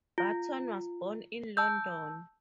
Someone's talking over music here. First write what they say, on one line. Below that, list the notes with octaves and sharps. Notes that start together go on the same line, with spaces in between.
Barton was born in London.
F4
A5 E6 G6